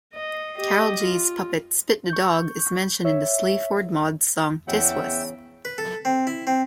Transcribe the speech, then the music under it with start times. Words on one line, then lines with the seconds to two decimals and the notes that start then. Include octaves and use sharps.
Carolgees' puppet Spit the Dog is mentioned in the Sleaford Mods song Tiswas.
0.14 D#5
0.57 G4 D#5
1.02 F4
2.10 C#6 G6
3.05 C#5 E5
4.68 E2 C#3 E5 F#5 G5
5.65 B4
5.78 A4
6.05 C4
6.27 E4
6.47 C4